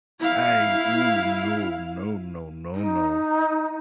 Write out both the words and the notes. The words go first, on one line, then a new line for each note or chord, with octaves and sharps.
I ooh, no, no, no, no, no,
E4 F5
D#4